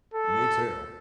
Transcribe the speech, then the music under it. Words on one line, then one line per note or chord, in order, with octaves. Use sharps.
me too.
A4